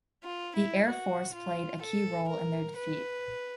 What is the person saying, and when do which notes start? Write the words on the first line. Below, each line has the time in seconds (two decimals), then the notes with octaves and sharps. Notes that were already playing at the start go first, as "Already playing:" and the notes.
The air force played a key role in their defeat.
0.24 F4
0.55 E4
0.87 F#4
1.34 F4
1.81 A4
2.29 A#4
2.76 B4